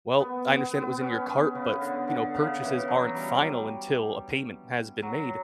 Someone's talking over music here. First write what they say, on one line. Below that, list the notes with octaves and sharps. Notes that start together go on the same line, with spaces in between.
"Well, I understand it was in your cart, but, f you know, purchases aren't final until a payment has been made,
B3
B3
B3
C#4
B3
C#3
D3
D3
C#3
E3
F#3
G3
F#3